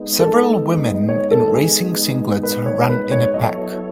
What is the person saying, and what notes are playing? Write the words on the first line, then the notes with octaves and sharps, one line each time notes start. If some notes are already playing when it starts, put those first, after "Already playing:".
Several women in racing singlets run in a pack.
Already playing: G#3 B3 D#4
A4
D#5
C#5
A4
G#4
B4
C#5
B4
C#5
F#3 B3 E4 A4 C#5 D#5